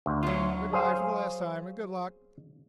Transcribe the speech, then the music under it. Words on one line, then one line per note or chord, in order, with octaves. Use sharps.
"Good-by for the last time, and good luck."
D2
F#3 F4
G#4 C5 F5